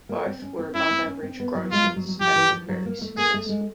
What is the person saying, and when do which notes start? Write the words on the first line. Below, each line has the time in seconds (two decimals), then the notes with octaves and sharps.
Both were above-average grossers and very successful.
0.09 A#3
0.26 C4
0.42 C#4
0.59 C4
0.75 C#4 E4
0.91 C4
1.06 C#4
1.23 C4
1.40 B3
1.55 F#3
1.72 G#3 F4
1.84 F#3
1.96 F#3
2.08 F#3
2.21 F3 G4
2.36 E3
2.52 F3
2.69 F#3
2.86 A#3
3.01 A3
3.18 A#3 G#4
3.34 A3
3.49 G#3